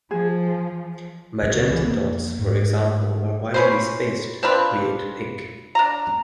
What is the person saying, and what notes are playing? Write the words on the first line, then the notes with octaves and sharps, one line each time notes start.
Magenta dots, for example, are widely spaced to create pink.
F3 G#4
C#2 C3 F#3
E3 F3 B3
F2 A#3
G#2
C#4 B4 C5
C4 D4 F4 B4
D4 A#5